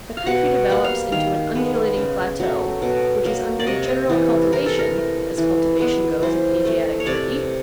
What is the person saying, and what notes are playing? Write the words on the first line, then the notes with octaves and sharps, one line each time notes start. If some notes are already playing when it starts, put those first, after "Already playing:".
The country develops into an undulating plateau, which is under general cultivation, as cultivation goes in Asiatic Turkey.
F5
B2 F#5
G3 A#3 F#5
F5
D#3 F5
G#3 B3
C#3
F#3 A3
B2
F#3 A#3
D5
C3 D#5
E3 G3
E3 A#4
A4
A#4
A3
E3
G#3 B3
E3 C5
A3
C#5
C3 D5